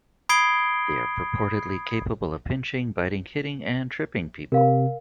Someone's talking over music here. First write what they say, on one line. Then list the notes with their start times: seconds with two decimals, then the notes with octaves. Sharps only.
They are purportedly capable of pinching, biting, hitting, and tripping people.
0.29 B5 D#6 G#6 C7 D7 G7
4.52 C3 A#4 F5